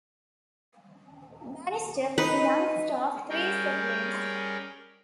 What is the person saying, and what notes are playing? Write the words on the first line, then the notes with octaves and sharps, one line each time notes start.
Bannister was the youngest of three siblings.
D#4 B4
G3 C#4 G#4 A#4 G5